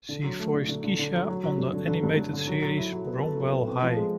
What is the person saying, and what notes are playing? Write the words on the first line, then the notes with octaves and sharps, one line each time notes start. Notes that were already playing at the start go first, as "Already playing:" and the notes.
She voiced Keisha on the animated series "Bromwell High".
D3
F#3
A3
D3
D3
D3
D3
F#3
F#3
F#3
G2
D3
D3
G2
G2
D3
F#3
F#3
E4
F#3
B3
A4
F#3
B3
C4
F3
G#3